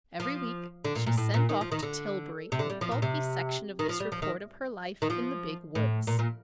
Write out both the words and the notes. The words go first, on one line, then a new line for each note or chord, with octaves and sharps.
Every week she sent off to Tillbury a bulky section of this report of her life in the Big woods.
F3
D3
A#2
A#2
A2
A#2
D#3
F3
D#3
D3
C3
D3
G3
F3
A#2
C3
D#3
F3
G3
F3
D#3
D#3
F3
A2
A#2
A#2